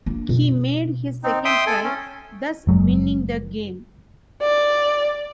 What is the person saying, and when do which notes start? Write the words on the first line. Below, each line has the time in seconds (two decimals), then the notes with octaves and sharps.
He made his second try, thus winning the game.
0.06 A#3 D4
0.29 B2
1.23 C4 D#4
1.45 E5 G5 C6 D#6
1.67 A4 G#5
1.84 C#4
2.67 F#1 F#3 G#3
4.42 D5